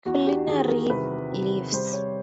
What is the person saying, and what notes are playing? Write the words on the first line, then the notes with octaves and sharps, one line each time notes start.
Culinary leaves.
E2 F#4
G4
D#3 G#4
A#4
C3 B4
C3
G3 C5
C#5